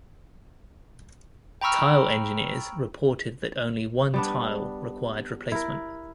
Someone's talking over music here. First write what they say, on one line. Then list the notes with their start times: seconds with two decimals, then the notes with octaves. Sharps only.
Tile engineers reported that only one tile required replacement.
1.61 G5 A#5 B5 C#6 E6 F6
4.14 G3 B3 D4
5.52 E4 A#4